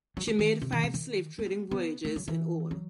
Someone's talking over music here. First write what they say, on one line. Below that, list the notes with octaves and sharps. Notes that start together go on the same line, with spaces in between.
She made five slave trading voyages in all.
F#3
A3
D#3
C3
D#3
C3
D#3
B3
B3
A3
F#3
E3
F#3